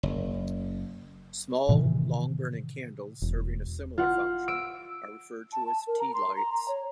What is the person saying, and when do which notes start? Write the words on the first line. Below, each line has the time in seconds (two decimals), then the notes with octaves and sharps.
Small long-burning candles serving a similar function are referred to as "tealights".
0.03 F#1
1.69 A2 C3 D#3 E3
3.22 E1
3.98 F4 F#5
4.48 E6 D7
5.53 A5
5.66 A5
5.87 A#4
5.99 A#5
6.14 C6
6.36 A#5
6.53 A#5
6.68 C#5